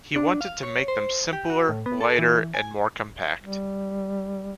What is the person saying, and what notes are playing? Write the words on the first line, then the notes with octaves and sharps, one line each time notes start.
He wanted to make them simpler, lighter, and more compact.
D4
F5
C#5
C5
G4
F#4
A2
B3
A4
E3
G#5
G3